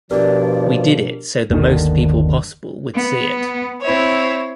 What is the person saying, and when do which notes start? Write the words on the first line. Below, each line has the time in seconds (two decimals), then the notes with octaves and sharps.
We did it so the most people possible would see it.
0.11 G2 B2 F3 D4 G4 A#4 D5
1.51 G1 D#2 D3 D#3
2.96 B3
3.82 C4 E4 C#5